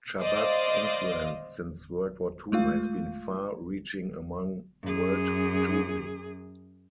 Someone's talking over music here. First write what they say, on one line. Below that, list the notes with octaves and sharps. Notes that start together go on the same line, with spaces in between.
Chabad's influence since World War Two has been far reaching among world Jewry.
C5 D5 D#5 F5
G#3 A3 F4 F5
F#2 G#4